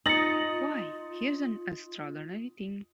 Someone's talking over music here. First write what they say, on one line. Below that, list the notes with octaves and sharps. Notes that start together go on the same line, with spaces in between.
Why, here's an extraordinary thing!
D#4 F4 D#6 A6 A#6 C#7 F#7